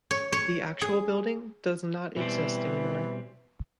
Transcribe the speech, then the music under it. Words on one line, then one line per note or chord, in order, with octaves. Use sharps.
The actual building does not exist any more.
C#5
C#5
G#4
B2 E3 G3 C4